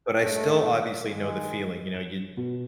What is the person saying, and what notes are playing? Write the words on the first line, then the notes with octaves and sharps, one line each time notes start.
but I still obviously know the feeling, you know, you'd
G2 A#2 G#3 A3
D#3 G#3
E7
B2